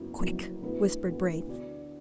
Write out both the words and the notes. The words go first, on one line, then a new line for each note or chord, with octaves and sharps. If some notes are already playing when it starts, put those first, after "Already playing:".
"Quick!" whispered Braith.
Already playing: F#1 F#2 F#3 B3 E4
F#1 F#2 F#3 B3 E4
D2 D3 B3 E4 B4
D2 D3 B3 E4 B4
D3 B3 F#4 D5